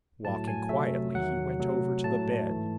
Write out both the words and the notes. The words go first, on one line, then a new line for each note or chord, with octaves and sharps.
Walking quietly, he went over to the bed.
A2 F#3 A3 A5
G#5
C3 F#3 A3 E5
E2 D#3 F#3 F#5
C3 F#3 A3
A2 F#3 A3 A5
G#2 E3 A3